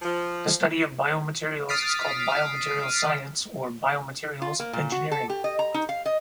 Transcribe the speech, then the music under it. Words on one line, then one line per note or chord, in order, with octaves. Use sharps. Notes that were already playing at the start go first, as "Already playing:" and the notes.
The study of biomaterials is called biomaterials science or biomaterials engineering.
F3
D#6 F6 A6 B6 C7 D7
F4
A#3
A#2
F#4
A4
G4
D#5
A#5
D#4
F5
D#5